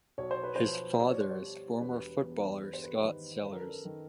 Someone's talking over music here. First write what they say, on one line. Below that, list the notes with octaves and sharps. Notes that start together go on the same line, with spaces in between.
His father is former footballer Scott Sellars.
B1 C#5
C5
B4
F3 C5
G3 D5
C#5
C5
C#5
G3
E1 B4
E2
G2 B4
C5
B4
D#3
F#2 B4
A#4
A4
A#4
D#3